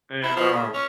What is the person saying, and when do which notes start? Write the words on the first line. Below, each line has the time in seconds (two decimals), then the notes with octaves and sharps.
and, um,
0.23 E4
0.37 F3
0.53 C#3
0.74 C#4